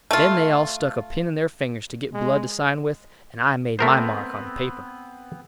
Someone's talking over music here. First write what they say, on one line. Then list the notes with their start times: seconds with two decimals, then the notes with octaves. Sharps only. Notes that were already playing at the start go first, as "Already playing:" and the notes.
Then they all stuck a pin in their fingers to get blood to sign with, and I made my mark on the paper.
0.11 A3 F4
2.14 G#3
3.79 A3 B3 C4 A#4 C5